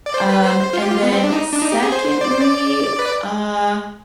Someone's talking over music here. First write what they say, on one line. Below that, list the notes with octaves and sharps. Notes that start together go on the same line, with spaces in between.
Um, and then secondly, uh,
D5
C5
B4
C5
F4
G4
F4
B3
C4
D4
D#4
D4
D#4
G4
G#4
C5
D5
C5
D5
B4